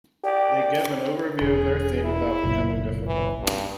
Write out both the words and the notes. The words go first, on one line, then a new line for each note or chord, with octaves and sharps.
They give an overview of their theme without becoming difficult.
G4 D5
E1 G#4
E4
F#1 B1 A#2
E3
G2